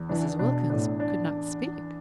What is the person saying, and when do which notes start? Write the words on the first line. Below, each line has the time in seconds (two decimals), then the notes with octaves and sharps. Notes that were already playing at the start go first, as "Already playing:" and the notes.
Mrs. Wilkins could not speak.
Already playing: E2
0.09 E3 D4
0.39 B2 D4
0.70 A2 D4
1.00 D4